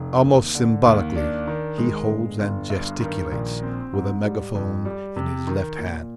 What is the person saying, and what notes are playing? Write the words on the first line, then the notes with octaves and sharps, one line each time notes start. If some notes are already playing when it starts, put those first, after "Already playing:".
Almost symbolically he holds and gesticulates with a megaphone in his left hand.
Already playing: F1
D#2
D3
D#2
D4
D#3
G#3
G1
G1
G2
D#3
A#1
C4
G#2
G3
F2
G3
C3
D#3
A#2